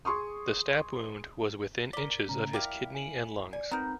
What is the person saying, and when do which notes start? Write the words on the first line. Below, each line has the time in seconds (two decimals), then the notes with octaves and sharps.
The stab wound was within inches of his kidney and lungs.
0.05 G#4 C6 C#6 D#6
1.93 A#4 D5 B6 G7
2.29 A2 C#3 C#4 A#5
2.53 E4 A#4 D5 F5 G5
2.95 G#5 F#7
3.53 D5 G#5
3.71 B3 C4 D#4 A#4 A#5 B5 G6